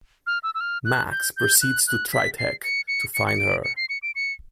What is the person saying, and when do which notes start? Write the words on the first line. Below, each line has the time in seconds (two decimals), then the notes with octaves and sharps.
Max proceeds to Tritech to find her.
0.27 F6
0.43 E6
0.55 E6
0.61 F6
0.85 F#6
1.11 G6
1.37 G6
1.61 F#6
1.87 F#6
2.12 B6
2.38 C7
2.64 C#7
2.88 C#7
3.14 C#7
3.27 C#7
3.38 D7
3.64 C#7
3.77 C7
3.89 C#7
4.03 D7
4.15 C#7